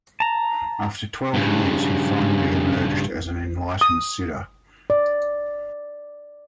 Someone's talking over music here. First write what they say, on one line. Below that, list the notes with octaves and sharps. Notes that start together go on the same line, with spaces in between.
After twelve years he finally emerged as an enlightened Siddha.
A5 A#5
G2 C#3
D#6
D5